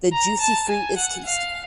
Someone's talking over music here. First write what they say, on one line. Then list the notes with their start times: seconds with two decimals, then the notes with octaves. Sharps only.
The juicy fruit is tasty.
0.13 A#5
0.40 A5
0.69 G#5
0.97 F#5
1.26 F5